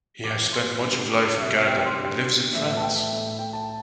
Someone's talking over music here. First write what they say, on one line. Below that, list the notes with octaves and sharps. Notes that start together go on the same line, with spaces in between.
He has spent much of life in Canada and lives in France.
A2 E3 G3 D6
C6
D3 G3
D6
C3 G3 E5
G5
G5
C6
D3 G3
A2 E3 A3 E5
A5
G5
E5
A2 A3
G5
A5